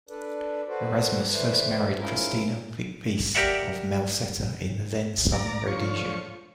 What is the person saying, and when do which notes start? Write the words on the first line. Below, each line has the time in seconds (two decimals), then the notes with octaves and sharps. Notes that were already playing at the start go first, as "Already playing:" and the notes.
Erasmus first married Christina Wiese of Melsetter in the then Southern Rhodesia.
0.09 D4 A4 B4 D5
0.68 F#4 A4 B4 C5 D5
1.30 E3 A3 B4 C5 D5
1.97 G#2 C#4 E4 F4 A#4
3.35 G4 A#4 D5 E5 F#5
5.33 D5 A#5
5.67 D3 F3 F4 C#5 C#6